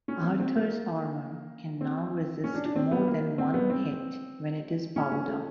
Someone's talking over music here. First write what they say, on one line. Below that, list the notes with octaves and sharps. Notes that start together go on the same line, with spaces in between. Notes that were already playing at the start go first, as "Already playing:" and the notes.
Arthur's armor can now resist more than one hit when it is powered up.
C#4
C4
C4
A#3
C4
C#4
D4
D4
C4
B3
A#3
C4
B3
C4
C#4
C#4
A3